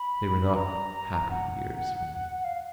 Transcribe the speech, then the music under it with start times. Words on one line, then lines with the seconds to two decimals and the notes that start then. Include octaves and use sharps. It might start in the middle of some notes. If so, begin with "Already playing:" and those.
They were not happy years for me.
Already playing: B5
0.55 A#5
1.31 F#5
2.44 F5